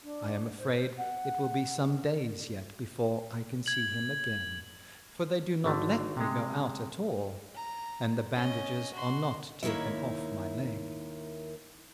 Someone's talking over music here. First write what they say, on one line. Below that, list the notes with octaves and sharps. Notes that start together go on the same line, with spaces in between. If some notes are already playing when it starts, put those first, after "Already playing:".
I am afraid it will be some days yet before I can see him again, for they do not let me go out at all, and the bandages are not taken off my leg.
D4
C5
F#5
G#6 F#7
G#1 D3 A3
C3 G#3
A#5
C#4 D#5
F#4 C6
D#2 D#3 E4 C#5 E5